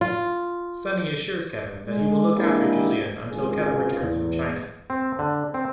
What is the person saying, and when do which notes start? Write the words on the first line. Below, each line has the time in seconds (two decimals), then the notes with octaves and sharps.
Sonny assures Kevin that he will look after Julian until Kevin returns from China.
0.01 F4
1.87 G#3
2.35 G#3 A#3 D4 E4 G4 G#4
3.31 G#1 C#2 F4 G#4
4.00 E2
4.90 C4
5.19 D3
5.54 C4